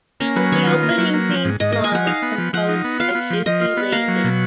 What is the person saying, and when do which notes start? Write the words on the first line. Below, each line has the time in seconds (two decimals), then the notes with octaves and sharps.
The opening theme song was composed by Shuki Levy.
0.20 A#3 C#4
0.36 F#3 B4
0.52 D#3 C#5
0.67 F4
0.83 A#3
0.98 F#3
1.14 A#3
1.29 F3
1.45 G#2
1.60 G#2 D#5
1.72 A#3 D#5
1.84 G#5
1.92 F3 F#5
2.06 D#4 F5
2.22 B3
2.38 F3
2.53 F3 F#5
2.69 D#4
2.84 B3
3.00 F4 F5
3.15 B3
3.30 F3
3.46 F3 D#5
3.61 F4
3.77 B3
3.92 A#3 F5
4.08 F#3
4.24 B2